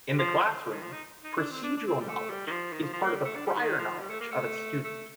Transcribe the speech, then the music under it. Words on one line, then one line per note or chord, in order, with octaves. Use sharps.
In the classroom, procedural knowledge is part of the prior knowledge of a student.
G3
F3
D#3
F3
D#4
D#4
D4
C4
D4
D4
C4
G3
A3
G3
D#3
F3
D#3
F3
F3
A#3
G3
A3
D4
G3
D#3
F3
G3
A3
A#3
A3
A3